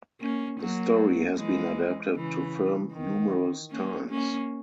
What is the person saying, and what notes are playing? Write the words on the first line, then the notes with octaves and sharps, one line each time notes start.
This story has been adapted to film numerous times.
A#3 C#4
F#3 A#3
E3 G#3
C#3 E3
D#3
A#3 C#4
A#3 C#4